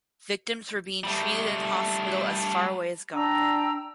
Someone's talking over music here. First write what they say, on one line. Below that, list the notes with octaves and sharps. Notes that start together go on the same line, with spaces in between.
Victims were being treated in hospital as far away as Gonder.
G3 A3
D4 G5 A#5 E6